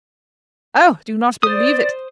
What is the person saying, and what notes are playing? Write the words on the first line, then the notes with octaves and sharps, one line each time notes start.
Oh! do not believe it!
C5 D5 D#6